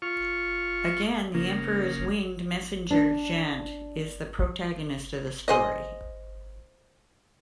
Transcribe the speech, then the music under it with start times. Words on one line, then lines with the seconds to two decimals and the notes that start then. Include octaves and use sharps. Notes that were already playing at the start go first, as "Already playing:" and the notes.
Again the Emperor's winged messenger, Jant, is the protagonist of the story.
0.02 F4 C#6
1.34 C#3 A#3
2.91 D4
5.48 G#4 C5 D#5